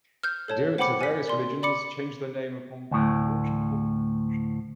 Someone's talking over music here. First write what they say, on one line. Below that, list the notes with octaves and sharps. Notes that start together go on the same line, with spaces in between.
Adherents of various religions change their name upon conversion or confirmation.
F6 G6
A4 C#5 A5
C5 F#5 G5 B5 D6 C#7
G#5 D6 B6
A#4 D5 C6
D5 B5 D6 C#7
D2 A2